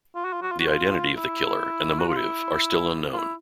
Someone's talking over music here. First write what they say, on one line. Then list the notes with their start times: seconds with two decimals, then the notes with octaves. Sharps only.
The identity of the killer and the motive are still unknown.
0.15 F4
0.24 F#4
0.33 F4
0.42 F#4
0.51 F4
0.59 F#4
0.68 F4
1.17 E4
1.99 F#4
2.08 F4
2.17 E4
3.13 F4
3.18 E4